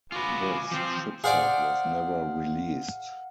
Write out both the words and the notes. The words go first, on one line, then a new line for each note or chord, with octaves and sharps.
This chipset was never released.
F4 F#4 B4 G#5 D6
F3 C4 C5
G#4 C5 D5 F5 F#5 F6